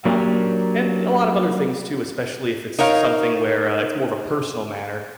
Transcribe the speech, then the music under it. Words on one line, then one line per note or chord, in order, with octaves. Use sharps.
Um, and a lot of other things too, especially if it's s something where, uh, it's more of a personal manner.
F#3 A#3 C#4 D4 G4 A#4
D#4 A#4 C#5 F5